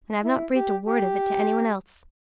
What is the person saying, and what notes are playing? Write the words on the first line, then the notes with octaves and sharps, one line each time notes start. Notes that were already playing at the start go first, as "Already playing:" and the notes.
And I've not breathed a word of it to any one else.
E4
G4
G4